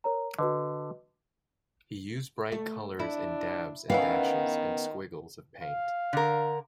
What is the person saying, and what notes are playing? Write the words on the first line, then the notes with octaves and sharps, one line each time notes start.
He used bright colours in dabs and dashes and squiggles of paint.
A#4 C#5 A#5
D3 F#4 B4 D#5
A3
D4 E4
D#3 B3 C#4 E4 F5
F5
D3 A#4